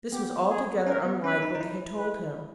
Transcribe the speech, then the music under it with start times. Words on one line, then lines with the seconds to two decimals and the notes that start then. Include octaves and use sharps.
This was altogether unlike what they had told him.
0.13 B3 G4
0.50 G#4
0.86 C#4 A#4
1.05 B3
1.23 C#4 B4
1.42 D#4
1.55 D#4
1.61 E4
1.97 B4